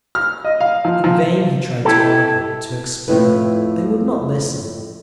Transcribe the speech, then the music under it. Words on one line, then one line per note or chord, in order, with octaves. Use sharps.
In vain he tried to argue, to explain; they would not listen.
F6
D#5
F5
F3
F3
E4 G4 A4
F2 A2 E4 B4